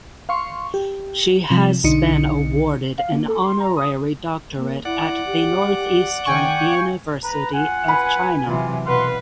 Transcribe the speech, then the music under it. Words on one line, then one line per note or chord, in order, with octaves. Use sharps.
She has been awarded an honorary doctorate at The Northeastern University of China.
F5 C6 C#6
G4
C3 F3
B1 D3 D#4 C#7
F5
A#3
A4
C6
A#5
D#6
A#3
E4 D5 F#5
G4
D#3 G5 G#5 C#6
F5
B4 A#5
F4 F#5 G#5
B4 B5
C3 E3 F#3 F4
B2 B4 F5 F#5 C6